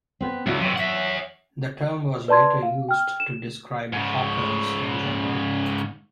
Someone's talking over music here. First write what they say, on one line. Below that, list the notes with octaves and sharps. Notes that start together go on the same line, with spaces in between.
The term was later used to describe hawkers in general.
B3 C4
C#2 E4 F#4 D5
C3 E3 F#3 C#5
E5 F#5
B4 D5 A5 C6 G#6
F5
G5 F6
E7
G#2 C#3